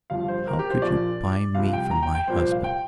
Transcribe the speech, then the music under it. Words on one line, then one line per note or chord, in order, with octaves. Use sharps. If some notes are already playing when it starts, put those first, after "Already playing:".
How could you buy me from my husband?
G1 G2 F3 F5
C5
A#4
G4
C5
A#1 A#2 F3 D5
C2 C3 F3 F5
G5
A#5
G5
G5
C2 A#2 F3 C5
C5
F5
G5